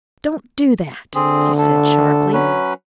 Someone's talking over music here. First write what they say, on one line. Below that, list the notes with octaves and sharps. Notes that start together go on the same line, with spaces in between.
"Don't do that!" he said sharply.
D3 C4 G#4
A4
F#3 C#4 B4